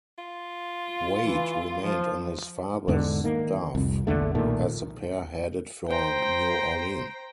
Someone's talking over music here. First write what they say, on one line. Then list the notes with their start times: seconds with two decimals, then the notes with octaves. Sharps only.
Wade remained on his father's staff as the pair headed for New Orleans.
0.18 F4
1.22 E3
1.80 F3
2.88 E2 G#2 D3
3.24 D#3 A#3
3.75 C2 F2
4.07 A#1 E2 D3 A3
4.35 B1 A#2 D#3 A3
5.88 C5 G5 A#5